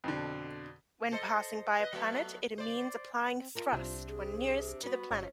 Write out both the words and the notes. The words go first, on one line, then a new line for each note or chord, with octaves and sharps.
When passing by a planet it means applying thrust when nearest to the planet.
F2 B2 D3
A4 C5 D#5
B4 D#5
F#3 A3 B3
C5 D5
C4
F4 A#4 D#5 A5
C2 C3 C4 D4
G#4
G3 B3 F#4 B4
G1 F#3 C#4 F4